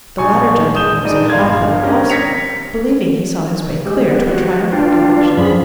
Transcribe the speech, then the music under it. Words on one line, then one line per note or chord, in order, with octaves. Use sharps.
The latter gentleman was in high feather also, believing he saw his way clear to a triumphant conviction.
A#1 G#5 C#6
G#3 D#6 G6 E7 G7
A#1 G#3 D#4 D5 D#7
G1 F5 C6 G#6
C#4 D4 G4 A#4
G#6 A#6 B6 C#7 F7
G#3 G4
B3
F#4
D4 F4 B4 G5
D5
F#2 F3 G#4 B5